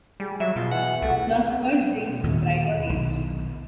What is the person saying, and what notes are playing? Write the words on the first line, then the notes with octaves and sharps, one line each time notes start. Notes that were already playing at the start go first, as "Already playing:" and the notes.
Philosophers dreamed of a brighter age.
G3 G#4
F#3 E5
B2 F4
E3 F#5
C2 A3 F#4
D#2 A#2
B1 D#3